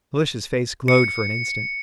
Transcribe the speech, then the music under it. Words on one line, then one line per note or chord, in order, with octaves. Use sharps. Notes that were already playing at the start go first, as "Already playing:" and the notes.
Felicia's face glowed for an instant.
C#7